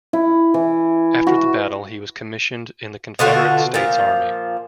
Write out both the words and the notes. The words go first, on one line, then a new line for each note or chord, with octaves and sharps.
After the battle, he was commissioned in the Confederate States Army.
E4
E3
F#4
B2 D3 F4 F#4
A#2 F3